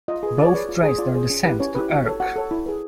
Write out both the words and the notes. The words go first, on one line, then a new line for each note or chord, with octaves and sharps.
Both trace their descent to Ercc.
F4 D#5
G#4 B4
F4 D5
C#5
G#4 B4 D5
F4
G#4 C5
F4 D5
G#4 C5
C#4
E4 G4 B4
C#4 C#5
E4 G4 B4
F#4
A4 C#5
F#4 F#5
A4 C#5
E4
G#4 B4